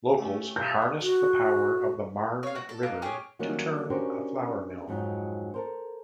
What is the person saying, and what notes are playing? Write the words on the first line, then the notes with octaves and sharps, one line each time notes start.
Locals harnessed the power of the Marne river to turn a flour mill.
A3 C#4 G4
E5 F5 G6
F#4
C#5 F5
F#4
A4
A#3 B3 D#4
C#4 G4 G#4 C#5
D#3 F#3 G3 A#3 C#4 D#4
C#4 D4 F#4 G4 A#4 C5
F2 G#2 F#3 C4 D#4
A4 A#4 C5